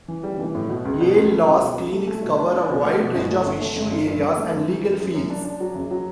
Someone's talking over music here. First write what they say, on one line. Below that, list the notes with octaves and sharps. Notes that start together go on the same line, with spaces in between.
Yale Law's clinics cover a wide range of issue areas and legal fields.
E3
G3
E3
A2
B2
C#2
B2
C#2
A3
C#2
B2
C#2
A3
A3
B2
D4
D4
B2
A3
B2
G1
A3
G1
A3
G1
G1
G2
G2
A3
F#2
E3
F#2
F#2
F#2
D4
D4
F#3
F#1
F#3